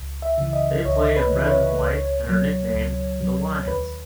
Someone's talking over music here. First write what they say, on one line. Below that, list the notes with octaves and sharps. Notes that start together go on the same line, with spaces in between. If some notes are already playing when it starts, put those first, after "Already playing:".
They play in red and white and are nicknamed "The Lions".
Already playing: C#2
E5
C#3 E3
D#5
C#2 C#5
B4
C#3 E3
C#5
C#2
B2 F#3
C#2
B2 F#3
D#2 B4